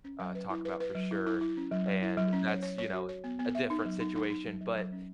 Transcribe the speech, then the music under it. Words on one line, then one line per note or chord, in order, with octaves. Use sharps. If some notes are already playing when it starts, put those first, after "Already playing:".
uh, talk about for sure and that's, you know, a different situation, but
C#4
F#3
B4
E4
B4
B4
F#3
E4
E4
E4
C#4
F#3
F#3
E4
F#3
C#4
C#5
C#5
C#5
F#4
C#5
B3
B3
E5
D#4
F#3
D#4
D#4
D#4
F#3
F#3
F#3
C#4